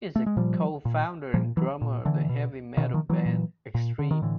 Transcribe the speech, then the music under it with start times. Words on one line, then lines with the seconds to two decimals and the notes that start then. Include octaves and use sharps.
He is a co-founder and drummer of the heavy metal band, Extreme.
0.16 A3
0.26 G#3
0.37 A#2 F3 G3
0.85 A#2
1.34 A#2 F3 G3
1.57 E3 F#3
1.81 A#2
2.05 D3 E3
2.29 B2
2.77 B2 D#3
2.94 D#3 F3
3.10 E3 F#3
3.26 A#2
3.74 A#2
3.99 D3
4.11 D#3
4.22 A2 D3 E3